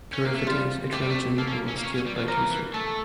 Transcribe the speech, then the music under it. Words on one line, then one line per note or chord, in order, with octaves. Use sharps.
Periphetes, a Trojan who was killed by Teucer.
C#4
A#3
A3
G3 F4
A3 G4
G3
A3
A#3 A4
C#4
A#3
C#4
A#3
C#4
C#4
G3
F3
F3 A#4
E3
E3
A3 A4